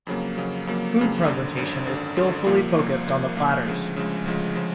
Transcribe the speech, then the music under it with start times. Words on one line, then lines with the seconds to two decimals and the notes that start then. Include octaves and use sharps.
Food presentation is skillfully focused on the platters.
0.07 F2 C#3 F#3 A#3
0.37 F2 C#3 F#3 A#3
0.67 F2 C#3 F#3 A#3
0.96 F2 C#3 F#3 A#3
1.26 G#1 F#2 D3
1.57 G#1 F#2 D3
1.87 G#1 F#2 D3
2.16 G#1 F#2 D3
2.46 C2 A#2 F3 A#3
2.76 C2 A#2 F3 A#3
3.06 C2 A#2 F3 A#3
3.35 C2 A#2 F3 A#3
3.65 D2 C#3 F3 G#3
3.96 D2 C#3 F3 G#3
4.26 D2 C#3 F3 G#3
4.55 C#3 F3 G#3